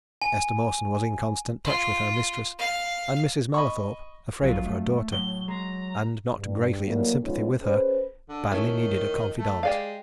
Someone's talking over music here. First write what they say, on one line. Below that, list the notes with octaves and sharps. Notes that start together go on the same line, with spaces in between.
Esther Mawson was in constant touch with her mistress, and Mrs. Mallathorpe, afraid of her daughter, and not greatly in sympathy with her, badly needed a confidante.
G#5
F4
F5
D#5 B5 C#6
A#1 G2 F#3 F4
A3
A2 F#3 G7
G#3 A#5
G2
A2 F#3 G3 A3 A#3
F3 G#3 B3 C#4 D#4 F4
C#4 G#4 B4 C5
D3
D#3 A3 C#4 E4
A3
G#3 G4 D5 F5